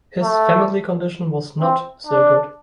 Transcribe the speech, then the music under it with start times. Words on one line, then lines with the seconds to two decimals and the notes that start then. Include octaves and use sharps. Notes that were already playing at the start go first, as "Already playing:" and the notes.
His family condition was not so good.
0.23 A3
1.60 C4
2.07 D4